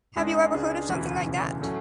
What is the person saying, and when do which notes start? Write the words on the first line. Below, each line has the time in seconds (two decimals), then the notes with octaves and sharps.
Have you ever heard of something like that?
0.16 C#2 C#3 G#3 D4 G#4
0.52 C#2 C#3 G#3 D4 G#4
0.89 E1 D2 C#3 E3
1.25 E1 D2 C#3 E3
1.62 A2 F#3 A3 C#4